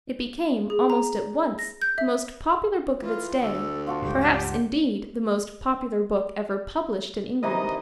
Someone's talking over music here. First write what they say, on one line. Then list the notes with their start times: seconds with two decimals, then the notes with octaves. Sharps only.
It became, almost at once, the most popular book of its day, perhaps, indeed, the most popular book ever published in England.
0.70 G#4
0.90 A#5
1.59 A#6
1.82 G6
1.98 E5
3.02 E3 F4
3.42 D2 A4
3.87 F4 F#4 A4
4.02 C#2 G2 G4
7.43 C3 D#3 E3 D#4 D#5